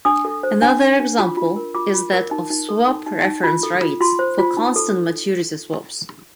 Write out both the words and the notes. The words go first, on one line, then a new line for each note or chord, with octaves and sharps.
Another example is that of swap reference rates for constant maturity swaps.
D4 D#6
A4
C5
D4
D4
D4
F4
F4
A#4
F4 D6
F4
A#4
D#4
D#4
A4
D#4
D#4
D#4
F4
A4
F4
F4 C6
C5
F4
D#4
A4